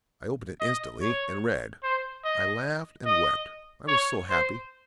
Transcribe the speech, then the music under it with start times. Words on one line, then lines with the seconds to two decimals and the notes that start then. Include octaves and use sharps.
I opened it instantly and read: I laughed and wept. I was so happy.
0.60 D#5
1.01 C#5
1.83 C5
2.24 D#5
3.06 D#5
3.87 C#5
4.29 C5